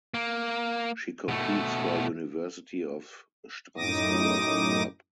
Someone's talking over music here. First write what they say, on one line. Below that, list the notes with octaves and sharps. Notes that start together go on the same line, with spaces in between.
She competes for University of Strasbourg club.
A#3
B2 A3
F#2 A2 D#4 D6 D#6 A#6